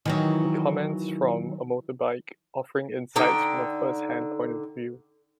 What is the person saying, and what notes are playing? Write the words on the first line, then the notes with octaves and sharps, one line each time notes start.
He comments from a motorbike, offering insights from a first-hand point of view.
D#3 E3 F#3
D3 D#4 G5